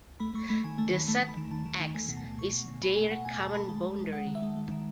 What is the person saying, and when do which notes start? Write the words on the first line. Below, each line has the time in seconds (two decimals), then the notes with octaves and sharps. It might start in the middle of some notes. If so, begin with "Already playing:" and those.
The set "X" is their common boundary.
0.20 A3 B5
0.34 A3 C#6
0.49 A3 B5
0.64 D#3 G#5
0.78 A3 A5
0.94 D#3 B5
1.08 A3 A5
1.22 D#3
1.29 B5
1.37 D#3
1.51 D#3 A5
1.66 D#3
1.80 D#3
1.94 A3 G#5
2.09 B2
2.17 A5
2.24 B2
2.38 B2 C#6
2.53 B2
2.68 B2
2.82 B2 B5
2.96 A3 G#5
3.11 A3 F#5
3.25 B2 G#5
3.40 A3 A5
3.54 A3 B5
3.69 G#3 A5
3.84 G#3
3.99 G#3
4.12 G#3 F#5
4.27 D#3
4.35 E5
4.42 G#3
4.56 G#3
4.71 D#3